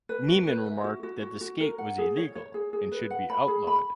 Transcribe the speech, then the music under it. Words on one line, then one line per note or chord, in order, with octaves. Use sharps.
Niemann remarked that the skate was illegal, and should be outlawed.
B4
F#4
B4
E5
F#4
F#4
F#4
F#4
A#4
F#5
G#4
C#5
C#5
G#4
G#4
B4
F#5
B5
G#4
B5